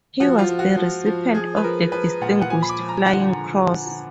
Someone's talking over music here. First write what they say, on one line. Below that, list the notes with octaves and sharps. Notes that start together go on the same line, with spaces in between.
He was the recipient of the Distinguished Flying Cross.
F3 F#4
F4
F3
F#4
F3
F3
F3 G#4
B4
F3 A#4
F3 B4
A#2 F#5
F#5
F3 G#5
B5
D6
F3
A#5
D3 F#5